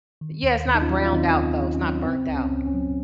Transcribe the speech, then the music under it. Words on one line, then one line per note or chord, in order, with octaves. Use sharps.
Yeah, it's not browned out though, it's not burnt out.
D#3
D#2
D#2
D#4
C#4 F4
F#3
F4
D#3 C4 D#4
D#2
D#2
C#4
F#3
C#3 C4
C#2
C#4
C#2
C#4
F#3